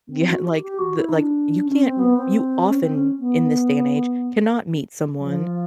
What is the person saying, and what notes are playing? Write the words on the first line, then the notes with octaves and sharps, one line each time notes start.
Yeah. Like, the like, you can't you, often in this day and age, cannot meet someone
C4
F#4
G4
G4
F#4
E4
D#4
D4
C#4
C4
B3
C4
C#4
C4
C#4
B3
F#3
F3